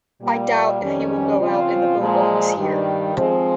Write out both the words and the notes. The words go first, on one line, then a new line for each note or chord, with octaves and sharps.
I doubt if he will go out in the boat while he is here.
A#2 G3 A#3
F2 D#3 G3 C#4
C#3 F3 C4 F4
A#2 F3 G#3
G2 D#3 G3
F3 G#3 C4